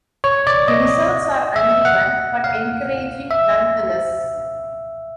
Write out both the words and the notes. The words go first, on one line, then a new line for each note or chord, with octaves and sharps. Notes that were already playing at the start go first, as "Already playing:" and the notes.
The results are uneven, but encouraging nonetheless.
C#5
D5
D#5
E5
F#5
F5
E5